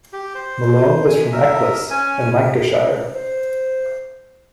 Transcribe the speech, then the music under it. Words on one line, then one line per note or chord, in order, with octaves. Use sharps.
Malone was from Eccles in Lancashire.
G4
C5
G#5
A#4 E5
C#4 G#5
C5